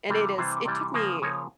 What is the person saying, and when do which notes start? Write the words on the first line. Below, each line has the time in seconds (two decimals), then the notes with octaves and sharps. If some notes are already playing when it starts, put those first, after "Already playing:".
and it is it took me
0.09 C3 E3 G3
0.38 C3 E3 G3 C5
0.65 C3 E3 G3 D5
0.94 C#3 F3 A#3
1.22 C#3 F3 A#3 C#5